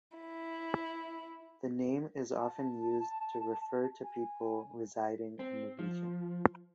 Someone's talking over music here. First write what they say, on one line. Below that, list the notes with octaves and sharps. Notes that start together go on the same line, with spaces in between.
The name is often used to refer to people residing in the region.
E4
A5
G#5
C4
F3